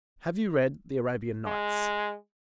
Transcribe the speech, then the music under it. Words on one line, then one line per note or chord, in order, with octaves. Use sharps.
"Have you read the 'Arabian Nights'?"
G#3